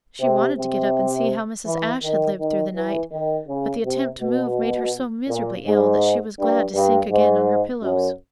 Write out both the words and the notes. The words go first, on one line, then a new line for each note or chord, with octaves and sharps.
She wanted to get up and see how Mrs. Ashe had lived through the night, but the attempt to move made her so miserably ill that she was glad to sink again on her pillows.
C3
C3
E3
D#3
D#3
E3
D#3
C#3
C3
B2
A#2
G#2
G2
G2
G#2
F#2